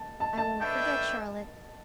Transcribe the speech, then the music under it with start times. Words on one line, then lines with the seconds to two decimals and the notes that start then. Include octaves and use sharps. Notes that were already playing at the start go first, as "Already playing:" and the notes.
'I won't forget, Charlotte.'
Already playing: A5
0.20 A5
0.37 A5
0.61 A3 D4 B4 E5 G5